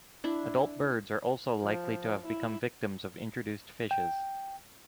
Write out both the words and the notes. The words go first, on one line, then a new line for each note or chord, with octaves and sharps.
Adult birds are also likely to have become victims of introduced fishes.
D4 E4
F3
E4
G5